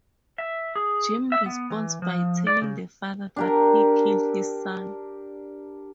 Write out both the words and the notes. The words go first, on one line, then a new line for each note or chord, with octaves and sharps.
Jim responds by telling the father that he killed his son.
E5
G#4
E5
B3
E3
F3
D5
C#3
D4 G4 A#4